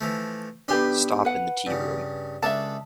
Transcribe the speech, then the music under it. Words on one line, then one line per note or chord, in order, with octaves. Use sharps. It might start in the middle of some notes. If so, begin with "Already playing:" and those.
Stop in the tea-room.
E3 F3 A3
B1 D4 G4 B4 B5 C6
B4 F#5
G2 C#3
C#2 D4 A4 E5 A5